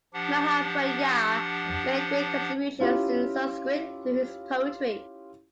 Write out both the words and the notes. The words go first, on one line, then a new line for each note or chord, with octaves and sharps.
Mahapragya made great contributions to Sanskrit through his poetry.
F3 D4 G4 F#5
C#4 E4 F4 G4